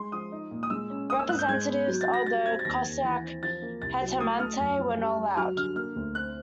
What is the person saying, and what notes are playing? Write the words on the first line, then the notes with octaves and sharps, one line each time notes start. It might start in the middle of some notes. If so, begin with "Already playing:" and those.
Representatives of the Cossack Hetmanate were not allowed.
Already playing: G#3 C6
F3 D#6
D#4
A#2
D#6
G#3 E6
C#4
A#3 D#6
E6
G#2 F#6
G6
G#3 G#6
B3
F#3
A6
F#3
A#6
G3 A6
C4 G#6
A6
D#2 A#6
D#2
E3
C4
F3 A6
A#3
C2 A6
F#3
A3 D#6
A3 F6
F#2
F3
G3
G3
F#3 F6
D3 F6
A#3 F6
D2
C4 F#6